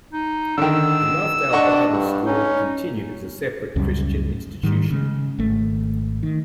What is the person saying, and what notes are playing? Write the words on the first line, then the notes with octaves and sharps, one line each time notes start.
The Lovedale Bible School continued as a separate Christian institution.
D#4
D3 D#3 E6
D4 D#5 F#5 C#6
G2
C#4 D#4
C#2 F#2 G3 C#4
G#2 D#3 G3
C#3 G#3
G#1 A3
D#3